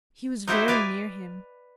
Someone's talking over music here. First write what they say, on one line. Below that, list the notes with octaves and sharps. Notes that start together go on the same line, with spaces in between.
He was very near him.
D#4 E4 F#4 G4 C5 E5
B4 D5 F5 G#5